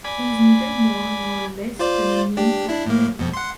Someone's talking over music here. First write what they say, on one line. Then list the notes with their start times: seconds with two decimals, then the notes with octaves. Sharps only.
He is neither more nor less than an imp of the devil.
0.04 D5 G#5 B5
1.79 F4 C5 D5
2.37 D4 G4
2.69 D4 E4
2.86 A2 A#3
3.19 F2 B2
3.33 F#5 C6